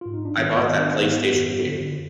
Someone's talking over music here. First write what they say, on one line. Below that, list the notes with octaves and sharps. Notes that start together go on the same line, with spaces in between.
I bought that PlayStation game.
G#2 F4
D#4
D4
D#3 B3
D#3 B3
D4
B3
G#2
F#2
D3